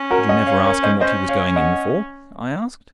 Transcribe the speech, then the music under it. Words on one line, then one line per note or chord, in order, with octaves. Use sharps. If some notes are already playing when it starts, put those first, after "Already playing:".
"Did you never ask him what he was going in for?" I asked.
Already playing: C#4
F#4 A#4
D#5 F#5
C#5 F5
A#4 C#5
C5 D#5
C#4 C5 D#5
C#5 F5
D#5 F#5